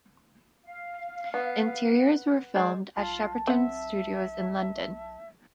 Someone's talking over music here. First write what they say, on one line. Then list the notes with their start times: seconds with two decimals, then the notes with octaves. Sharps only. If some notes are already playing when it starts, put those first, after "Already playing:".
Interiors were filmed at Shepperton Studios in London.
0.65 F5
1.34 B3
2.56 G#3 C5 D5
2.97 B1 F4 A5
3.47 C4 E5 F#5